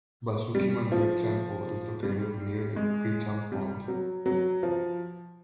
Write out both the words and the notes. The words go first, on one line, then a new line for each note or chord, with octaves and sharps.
Vasuki mandir temple is located near the Pritam pond.
G3
F3
G3
G#3
G3
F#3
F#3
F3